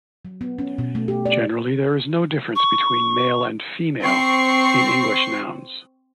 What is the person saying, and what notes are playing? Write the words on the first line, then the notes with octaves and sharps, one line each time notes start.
Generally there is no difference between male and female in English nouns.
F#3
B3
C#4
B2
A3
G4
D5
C#6
C4 C#6 C7